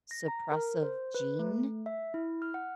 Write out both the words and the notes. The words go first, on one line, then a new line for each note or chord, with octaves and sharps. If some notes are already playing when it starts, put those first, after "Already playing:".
suppressive gene
A#6
A#5
A#4
C5
B4
A3
E5
E4
F6
F#5